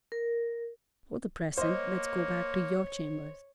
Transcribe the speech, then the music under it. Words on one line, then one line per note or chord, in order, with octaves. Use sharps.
For the present let's go back to your chambers.
A#4
A#3 C5 C#5 D#5